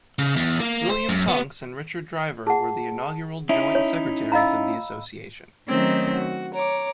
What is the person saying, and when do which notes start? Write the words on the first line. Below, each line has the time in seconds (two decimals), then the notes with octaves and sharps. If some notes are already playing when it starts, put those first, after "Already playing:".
William Tunks and Richard Driver were the inaugural joint secretaries of the association.
0.19 C#3
0.36 E2
0.60 A#3
0.90 C5
1.09 F#2
1.28 B3
2.47 G#4 F#5 A5
3.49 C#4 D#4 E4 E5
3.75 C#5
4.32 D#5 F5 A#5 B5 E6
5.69 D#3 F#3 A3 C4 C#4 D#4
6.13 F#4
6.53 C#5 A#5 D6